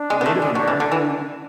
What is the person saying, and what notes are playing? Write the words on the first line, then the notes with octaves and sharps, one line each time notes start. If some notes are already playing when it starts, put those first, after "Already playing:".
Native American
Already playing: D4
G#3
B3
A3
G#3
F#3
E3
D3
E3